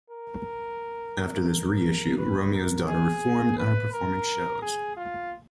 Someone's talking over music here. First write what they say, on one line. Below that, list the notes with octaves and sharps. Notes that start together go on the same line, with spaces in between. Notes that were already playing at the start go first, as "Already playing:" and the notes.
After this reissue Romeo's Daughter reformed and are performing shows.
A#4
A#4
B4
A#4
G#4
B4
A#4
G#4
F4